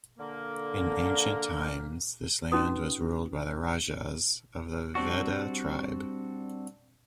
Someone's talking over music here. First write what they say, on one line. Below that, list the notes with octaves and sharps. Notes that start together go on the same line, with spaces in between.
In ancient times, this land was ruled by the Rajas of the Veda tribe.
D3 A#3
C#4 D#4 F#4 B4 D#6
G3 C4 D4 F#4